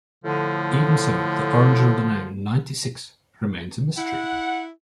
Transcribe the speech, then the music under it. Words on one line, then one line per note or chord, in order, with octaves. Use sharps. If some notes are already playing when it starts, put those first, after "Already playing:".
Even so, the origin of the name "Ninety-Six" remains a mystery.
A2 D3 F3
E4 F#5